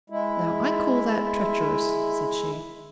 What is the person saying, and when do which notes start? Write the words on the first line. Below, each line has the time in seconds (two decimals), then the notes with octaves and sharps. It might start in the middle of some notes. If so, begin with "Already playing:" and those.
'Now, I call that treacherous,' said she.
0.10 G#3 E4